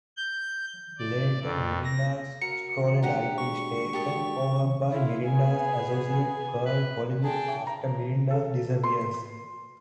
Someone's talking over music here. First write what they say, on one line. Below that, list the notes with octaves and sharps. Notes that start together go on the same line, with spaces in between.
Later Miranda's storyline is taken over by Miranda's associate Carl Hollywood after Miranda disappears.
G6
D5
F2
A#6
F#4 A#4 C#7
G#3 D4 F#4 G4 F#5 A#5
C#6
G4 A4 D#6
E4 F4
B3 G#4 G#5
G#5
B4
G#4 G5 A5
A#5
A4
C6